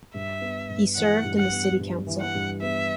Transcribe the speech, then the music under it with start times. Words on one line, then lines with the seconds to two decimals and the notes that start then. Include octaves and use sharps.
He served in the city council.
0.14 G2 E5
0.41 B3
0.69 G2
0.97 E3 F#5
1.25 G2
1.38 F#5
1.52 B3
1.79 G2
2.07 E3
2.21 F#5
2.35 G2
2.61 B3 E5